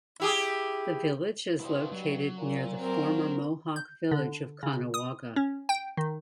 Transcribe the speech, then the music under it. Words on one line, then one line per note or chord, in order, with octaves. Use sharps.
The village is located near the former Mohawk village of Caughnawaga.
E4 G4 G#4
G2 B2 E4 C5
F#3
A#2
C4 A#4
G6
D3
C#3
D#6
C#4
G5
D#3